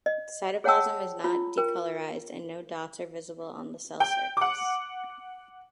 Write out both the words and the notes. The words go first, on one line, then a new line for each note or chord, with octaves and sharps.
The cytoplasm is not decolorized and no dots are visible on the cell surface.
D#5
G#4 C#5 F#5 G5 A5 E6
E4 F4
A#4 G5
G5
F#5 D6